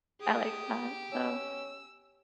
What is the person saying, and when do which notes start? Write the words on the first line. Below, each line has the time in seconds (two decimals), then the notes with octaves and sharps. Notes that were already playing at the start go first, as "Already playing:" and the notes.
I like that, so
0.21 G4 G#4 D#6
1.12 C#4 E6